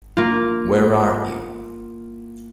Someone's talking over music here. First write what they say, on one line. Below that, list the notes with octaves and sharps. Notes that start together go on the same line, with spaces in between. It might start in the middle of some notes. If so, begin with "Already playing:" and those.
Where are you?
A#3 F4